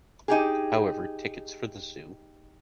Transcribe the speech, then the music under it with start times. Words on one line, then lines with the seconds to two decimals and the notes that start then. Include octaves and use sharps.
However, tickets for the zoo?
0.28 D#4 G4 G#4